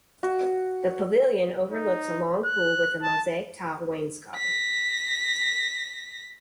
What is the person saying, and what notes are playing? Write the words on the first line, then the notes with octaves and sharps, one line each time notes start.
The Pavilion overlooks a long pool with mosaic tile wainscoting.
F#4
D#4
F#6
A5
A#6 B6